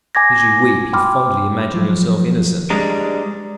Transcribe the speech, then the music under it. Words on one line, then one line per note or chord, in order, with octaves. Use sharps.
Because you weep, you fondly imagine yourself innocent?
G#5 D6 G#6 A#6
G5 B5 C6 D6 F6
F3 F#3
G3 G#3 D4 A#5